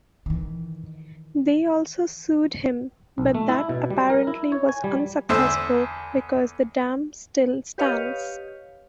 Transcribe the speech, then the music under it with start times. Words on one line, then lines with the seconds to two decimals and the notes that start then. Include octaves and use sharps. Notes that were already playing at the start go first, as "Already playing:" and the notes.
They also sued him, but that apparently was unsuccessful because the dam still stands.
0.26 D#3 E3
3.18 B1
3.35 A3
3.49 E4
3.69 B2
3.90 G3
4.10 A#4
4.27 E4
4.52 C#5
4.69 G#5
4.84 G3
5.29 E2 D3 C5 E5
7.78 G4 B4 C#5 D#5 F5